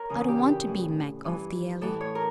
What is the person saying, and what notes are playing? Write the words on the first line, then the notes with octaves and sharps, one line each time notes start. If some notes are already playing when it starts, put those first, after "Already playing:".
I don't want to be Mag of the Alley.
Already playing: A#4 C#5
E2 C#3 E3
G4
G4
A2 E3
G2 E3
A2 E3 A4
C#5
A#4